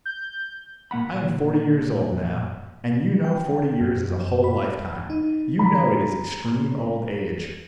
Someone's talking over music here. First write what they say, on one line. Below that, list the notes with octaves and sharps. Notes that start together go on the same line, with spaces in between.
I am forty years old now, and you know forty years is a whole lifetime; you know it is extreme old age.
G6
A#2 A#3 F#5 B5
G5
F#2
B5
D#4
A#5 B5